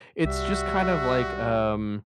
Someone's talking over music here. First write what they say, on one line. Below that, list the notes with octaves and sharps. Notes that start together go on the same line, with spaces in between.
It's just kind of like, um
C2 G3 F#4 E5